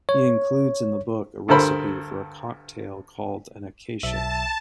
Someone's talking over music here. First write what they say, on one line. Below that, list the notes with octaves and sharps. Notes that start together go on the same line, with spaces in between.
He includes in the book a recipe for a cocktail called an "Acacia".
C#5
D2 G2 A4 A#4 C5 B5
B1 E5 A5